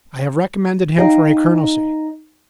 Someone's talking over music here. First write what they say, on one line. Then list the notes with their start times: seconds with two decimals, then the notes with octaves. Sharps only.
I have recommended him for a colonelcy.
0.98 D#4 D#5 F5 G5